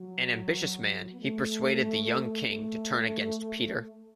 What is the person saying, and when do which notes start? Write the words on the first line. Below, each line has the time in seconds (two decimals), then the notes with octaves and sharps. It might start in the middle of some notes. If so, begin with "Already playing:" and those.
An ambitious man, he persuaded the young king to turn against Peter.
Already playing: F#3
1.12 B3
1.21 A3
2.43 B3
2.48 A3